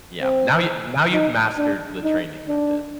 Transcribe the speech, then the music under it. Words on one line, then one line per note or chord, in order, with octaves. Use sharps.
Yeah, now you now you've mastered the training method.
C4
D#4
D4
D#4
D4